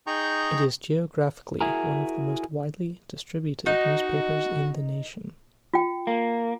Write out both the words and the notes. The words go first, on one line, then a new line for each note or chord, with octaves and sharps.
It is geographically one of the most widely distributed newspapers in the nation.
D#4 G#4 G5 A#5 C#6 G6
E4 F#4 G#4 A#4
D#4 F#4
F4 G5
A#3